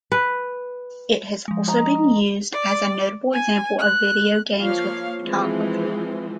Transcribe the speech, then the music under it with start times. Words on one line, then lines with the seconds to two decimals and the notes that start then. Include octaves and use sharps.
It has also been used as a notable example of video games with photography.
0.12 B4
1.48 F3 G#3
1.68 D#5 A#5
2.53 D5
3.33 G#5
3.79 F#6
4.60 F3 A#3 C#5 F5
5.23 E3 F3 G#3 C4